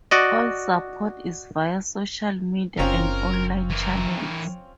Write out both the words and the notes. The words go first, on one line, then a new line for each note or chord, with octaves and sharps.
All support is via social media and online channels.
F#4 D5 D#5
F#1 C4 C#4 F4 A#4
E3 A#4